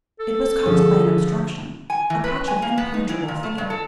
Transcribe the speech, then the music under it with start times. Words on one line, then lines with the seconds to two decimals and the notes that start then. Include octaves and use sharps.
It was caused by an obstruction,--a patch of impenetrable thicket.
0.19 A4
0.66 D3 F3 G#3
1.90 G#5
2.10 E3
2.24 B4
2.48 G#5
2.62 A#3
2.78 B3
2.94 D#4
3.09 E3
3.28 A#2
3.43 A3
3.58 G2
3.70 A4